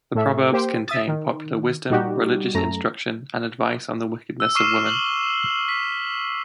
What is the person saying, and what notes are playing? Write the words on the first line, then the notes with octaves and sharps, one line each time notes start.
The proverbs contain popular wisdom, religious instruction, and advice on the wickedness of women.
A2 A4 E5
A#3 G4 C5 G5
E5 D#6 A6
D#3
A#2 G3 D#4 F#4 G4
F#2 A3 A#5
E6
C#6 D6 F6 C7 D#7 E7
F#7 G7
B6